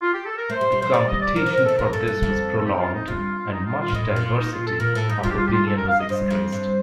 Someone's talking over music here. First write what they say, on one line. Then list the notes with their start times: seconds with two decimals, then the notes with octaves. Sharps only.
The competition for this was prolonged, and much diversity of opinion was expressed.
0.02 F4
0.14 G4
0.25 A4
0.38 A#4
0.50 A3 C5
0.61 G3
0.72 G3
0.82 F3 C5
0.93 G3 D5
1.08 D#5
1.21 D5
1.36 F3 A#4
1.46 F3
1.51 A#4
1.58 F3
1.65 D#3 A4
1.78 F2 A#4
1.92 G2 A4
2.08 G2
2.23 F2
2.57 A4
2.65 G4
2.79 F4
2.93 D#4
3.08 G2 F4
3.52 D#4
3.65 F4
3.79 F4
3.88 A#2
3.94 A2 D#5
4.08 F4
4.16 A#2
4.23 F4
4.38 D#4
4.52 F4
4.66 A4
4.80 A#2 A#4
4.95 A2 A4
5.09 G2 D#4
5.19 G4
5.23 G2 F4
5.31 G4
5.37 F4
5.47 G4
5.52 F4
5.66 A4
5.77 A#4
5.88 F5
5.99 D#5
6.09 G2 C5
6.30 F2
6.52 G2